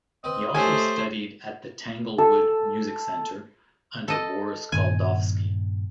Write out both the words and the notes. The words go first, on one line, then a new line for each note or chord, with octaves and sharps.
He also studied at the Tanglewood Music Center under Boris Goldovsky.
C4 B4 D#5
A3 C#4 G4 A4 C5 G#5
A4
A4 D#5
G2 A#2 D#3 G#5